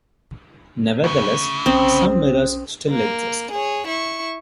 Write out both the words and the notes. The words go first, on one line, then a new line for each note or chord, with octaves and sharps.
Nevertheless, some mirrors still exist.
D2 C#3
B1 C4 C#4 D#6
A#3
G#4 C#5
E4 C#6